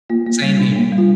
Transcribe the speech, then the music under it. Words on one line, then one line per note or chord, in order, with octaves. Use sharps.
Same here.
A#3 F4
A#3
G3
D4
A#3
G3
F4